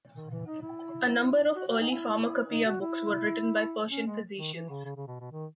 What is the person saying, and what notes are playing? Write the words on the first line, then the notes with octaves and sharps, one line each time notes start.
A number of early pharmacopoeia books were written by Persian physicians.
D#3
E3
D#4
E4
F#4
F#4
D#4
E4
D#4
F#4
E4
C#4
G#3
D#3
E3
C#3
C#3
C#3
B2
B2
D#3